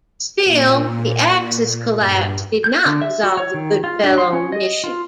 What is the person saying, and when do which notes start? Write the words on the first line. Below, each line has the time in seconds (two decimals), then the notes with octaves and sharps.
Still, the Axis collapse did not dissolve the Goodfellow mission.
0.43 A#2
1.95 G2
2.64 G6
2.86 D3
3.02 E5
3.23 F#4
3.37 C#5
3.54 D#3
3.84 F4
4.04 D4
4.18 C6
4.33 C#4
4.52 D#5
4.84 F4